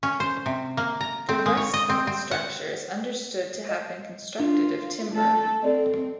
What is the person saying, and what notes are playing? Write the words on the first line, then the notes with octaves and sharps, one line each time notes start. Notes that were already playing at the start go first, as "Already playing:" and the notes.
The rest of the structure is understood to have been constructed of timber.
C#4
C5
C3
A#3
A#5
C4
G#3
C#5
D#5
C4
C4
F#5
D#5
D4 F4
A3 A4
C4 A4 D5 D#5